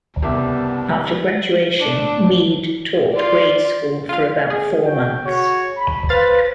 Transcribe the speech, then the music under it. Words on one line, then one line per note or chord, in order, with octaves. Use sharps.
After graduation, Mead taught grade school for about four months.
F#1 C2 G3 B3 E5 A5
A2 A3 D4
F4 D5
F4 F5
G#4
F#4 G5
F#4 C#5
B5
B4 C5 F5 A6